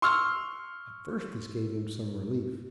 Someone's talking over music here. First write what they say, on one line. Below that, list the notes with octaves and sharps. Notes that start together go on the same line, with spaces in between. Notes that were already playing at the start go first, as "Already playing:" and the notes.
At first this gave him some relief.
C6 C#6 E6 F6